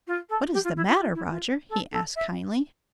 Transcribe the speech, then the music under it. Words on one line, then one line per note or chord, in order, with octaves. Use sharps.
"What is the matter, Roger?" he asked kindly.
F4
A4
G4
F4
E4
F4
F4
E4
F4
A4
A4
E5